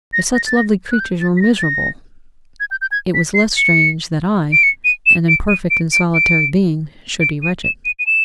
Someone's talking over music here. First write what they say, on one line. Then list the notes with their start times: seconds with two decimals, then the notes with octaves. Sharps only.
If such lovely creatures were miserable, it was less strange that I, an imperfect and solitary being, should be wretched.
0.13 A#6
0.35 A#6
0.46 A6
0.57 A#6
0.91 F#6
1.00 G6
1.21 A6
1.37 B6
1.42 A#6
1.59 A6
1.63 A#6
2.60 G#6
2.71 G6
2.81 G6
2.92 G#6
3.14 B6
3.35 C7
3.57 C#7
4.52 D7
4.63 C#7
4.85 D#7
5.06 E7
5.29 D7
5.49 D#7
5.70 D7
5.93 D7
6.15 D7
7.21 D7
7.43 D#7
7.64 E7
7.85 D#7
7.99 D#7
8.07 E7